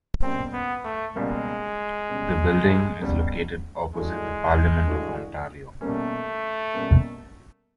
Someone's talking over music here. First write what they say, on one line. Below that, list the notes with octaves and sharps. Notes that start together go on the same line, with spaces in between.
The building is located opposite the Parliament of Ontario.
C#2 B2 G3 A#3 C4
B3
A3
C#2 B2 G3 G#3 A#3
C#2 B2 G3
C#2 B2 G3
G2 E3 G#3 A3 D4 F#4
G2 E3 A3 D4 F#4
B2 G3 A3 A#3 C#4
B2 G3 A#3 C#4